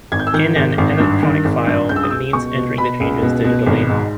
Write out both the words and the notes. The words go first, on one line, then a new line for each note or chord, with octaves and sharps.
In an electronic file, it means entering the changes digitally.
G#1 G#6
G6
E6
D#3 G6
G#1
G#1
G2
D#3
G#1
G2
C#2 G6
E6
D#6
C#2 E6
B2 C#6
B2
B2 B5
C#2
B2
B2
G#1
G#2